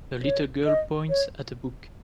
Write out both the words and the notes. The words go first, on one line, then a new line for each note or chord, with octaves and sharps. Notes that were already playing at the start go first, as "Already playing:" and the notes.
A little girl points at a book.
C#5
D#5
C#5